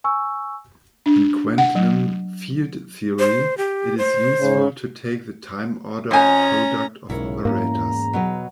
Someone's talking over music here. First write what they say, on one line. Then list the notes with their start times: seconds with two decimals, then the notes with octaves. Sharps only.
In quantum field theory it is useful to take the time-ordered product of operators.
0.04 G#5 C#6 E6
1.06 D4
1.58 F#5
1.75 F#3
3.19 C5
3.58 G4
3.98 C5
4.40 G#2 C#3 C#5
6.11 F2 C#4 G#5 A#5
7.10 B1 G#2 C#3 E4 A#4 C#5
7.45 E2 G#2 A#3 C4 C#4 A#5
8.13 B2 F#3 B4